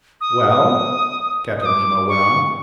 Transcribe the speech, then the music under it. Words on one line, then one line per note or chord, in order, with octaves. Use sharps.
"Well?" Captain Nemo went on.
D#6
D#6
D#6
D6
C#6